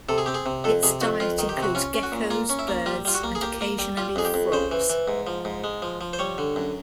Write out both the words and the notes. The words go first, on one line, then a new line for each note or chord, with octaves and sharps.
Its diet includes geckos, birds and occasionally frogs.
C3 A4
G#4
C4 G4
G#4
C3
F2 A4
C3 G#4
F2 F#4
F2 F4
D#3
G4
C3
F#4
C#4 F4
C#4
F#4
A#2
A#3 F4
C#4
E4
A#3
G3 F4
G3 F4
F#4
A#3
G#4
A#3 G4
A#3
G3
G3 F4
F2 G#4
G4
F2
C#3 C5
E3
E3
G#2
F3
G#2
G#3
F3
F3
C5
G3 C#5
D3
F#2